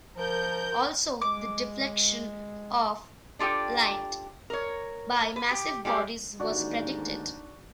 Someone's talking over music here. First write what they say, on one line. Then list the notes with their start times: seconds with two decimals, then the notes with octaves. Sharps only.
Also the deflection of light by massive bodies was predicted.
0.16 F3 A#4 G6
1.22 G#3 D6
3.39 D4 F4 G4 A4 G5
4.50 A#4 C#5
5.36 B4
5.51 G4
5.85 G3 G#3 G4 A4 C5
6.40 A1 D#2 G#2 D4 D#4 F#4 D5